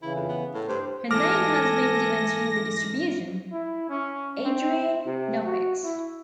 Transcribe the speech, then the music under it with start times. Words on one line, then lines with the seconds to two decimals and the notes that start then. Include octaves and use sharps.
Her name has been given to the distribution: Adriane Knoppix.
0.02 C#3 E3 E4
0.15 F2
0.29 B3
0.54 A2
0.68 G2 C5
1.11 G#2 E3 A3 A4 G#5 D6 F6 A#6
3.52 E4
3.89 C#4
4.44 C4
5.06 C3
5.45 F#4
5.84 E4